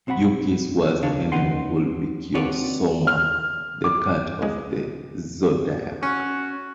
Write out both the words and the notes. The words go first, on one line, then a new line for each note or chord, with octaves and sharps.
Yuki's worst enemy would be Kyo Sohma, the cat of the zodiac.
B1 C4 F#4 F#5 B5
C#2 C#3 D4 C#5 F5
F2 C#4 D#4 B4 F#5 C6
C4 D4 F#4 B4 C#5 D5
F6
D6
C#2 G#3
C#4 F#4